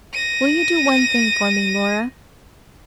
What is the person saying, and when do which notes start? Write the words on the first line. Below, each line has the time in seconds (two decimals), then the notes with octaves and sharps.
'Will you do one thing for me, Laura?
0.13 A#6 D#7